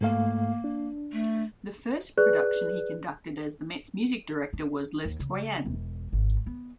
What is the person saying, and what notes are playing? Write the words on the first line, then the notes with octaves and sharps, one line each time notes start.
The first production he conducted as the Met's music director was "Les Troyens".
G#2 A3 A#3 F5
D4
A3
G#4 B4 D5 F#6
D4
D#2
C#3
E1
G#1
B3